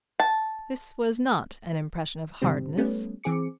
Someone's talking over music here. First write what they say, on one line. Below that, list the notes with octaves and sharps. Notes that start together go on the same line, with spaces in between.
This was not an impression of hardness.
A5
G#2 C3 D#3 G3 C4
G3 A3 B3 C#4
E3 C4 G#4 D6 C#7